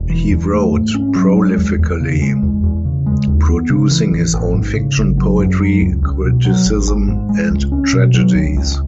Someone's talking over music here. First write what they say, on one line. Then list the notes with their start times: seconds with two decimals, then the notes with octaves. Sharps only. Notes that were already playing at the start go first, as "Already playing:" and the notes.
He wrote prolifically, producing his own fiction, poetry, criticism, and tragedies.
Already playing: E1
0.10 E3
0.31 E2
0.52 A3
0.73 G#2
0.94 C#4
1.16 F#3
1.36 G#3
1.58 E2
1.79 E2
2.00 C#3
2.22 G#3
2.43 E2
2.64 E2
2.85 C#3
3.06 G#3
3.27 D#2
3.48 B3
3.70 C#3
3.91 E3
4.12 A1
4.33 A1
4.54 G#2
4.76 C#3
4.97 G#1
5.18 F#3
5.39 F#2
5.60 F#3
5.81 C#2
6.02 C#2
6.24 B2
6.45 F#3
6.66 G#1
6.87 G#1
7.08 G#2
7.29 G#3
7.51 C#2
7.72 C#4
7.93 B2
8.14 F#3
8.35 C#2
8.57 C#2